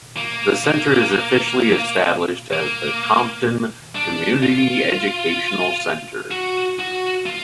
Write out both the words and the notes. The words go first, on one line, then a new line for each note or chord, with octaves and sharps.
The center is officially established as the Compton Community Educational Center.
A#3
A#3
A#3
D4
F4
F#4
F#4
F4